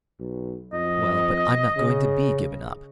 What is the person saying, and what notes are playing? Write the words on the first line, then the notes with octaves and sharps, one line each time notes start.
"Well, but I'm not going to be given up."
B1
F2 D#5
C#3